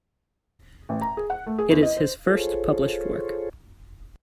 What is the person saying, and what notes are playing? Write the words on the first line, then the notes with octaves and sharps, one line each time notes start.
It is his first published work.
A1
A#5
G#4
F#5
A3
G#4
E2
D#5
C5
F4 G#4 A4 C5 C#5